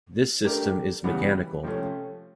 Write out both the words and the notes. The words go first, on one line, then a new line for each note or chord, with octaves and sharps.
This system is mechanical.
A3 D4 G4 A#4
C#3 E3 G3 B3
C3 F3 A3 C#4